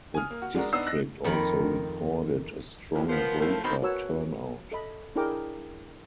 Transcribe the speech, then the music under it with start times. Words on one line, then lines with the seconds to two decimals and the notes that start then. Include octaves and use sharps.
The district also recorded a strong voter turnout.
0.14 G#5 D#6 F6
0.31 A#3
0.42 F#4
0.55 G#3 D4 F#4 A#4
0.73 B3 D4 D#4 E6 C7
0.86 D#5 F#6 A#6
1.24 F2 D#3 A#4 B5
2.93 D2 E4
3.09 F3 B3 A#4
3.41 A2 F3 A3
3.63 B2 D#3 C4 B5
3.82 F#4 A#4 B4 C#5 A5 E6
4.72 A4 D#5 B5
5.16 D4 E4 G#4 A#4 G5 D6